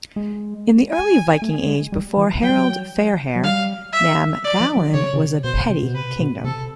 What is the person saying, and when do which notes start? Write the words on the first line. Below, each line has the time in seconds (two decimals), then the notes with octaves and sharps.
In the early Viking Age, before Harald Fairhair, Namdalen was a petty kingdom.
0.16 G#3
0.92 G#5
1.42 A3
1.67 G#3
1.92 G3
2.17 E3
2.42 F#3 G5
2.50 G3
2.57 F#3
3.36 F#3
3.43 G3 F5
3.93 E5
4.44 D5
4.60 F3
4.76 F#3
4.94 C#3 C#5
5.14 C#3
5.18 C3
5.44 B2 C5
5.70 C3
5.83 B2
5.94 C3 B4
6.20 B2
6.44 C3 A4